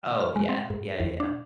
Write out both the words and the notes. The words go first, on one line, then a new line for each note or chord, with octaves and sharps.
Oh, yeah, yeah, yeah, yeah.
F6
G#3
C4
G#2
E2
D4